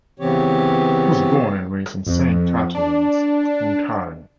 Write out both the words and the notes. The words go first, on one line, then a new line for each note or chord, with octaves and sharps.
He was born and raised in Saint Catharines, Ontario.
C#3 E3 B3 C4 G4 C#5
F2
D4